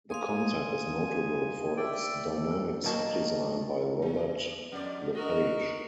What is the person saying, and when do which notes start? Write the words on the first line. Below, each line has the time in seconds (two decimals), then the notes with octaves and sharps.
The concert is notable for its dynamic set design by Robert Lepage.
0.10 F5 G#5 C6 D#6
1.77 D5 E5 G5
2.83 D#3 F#3 A#3 D#5 G5 A5
4.02 G#3
4.72 F2 D5
5.15 F#4 A#4 D#5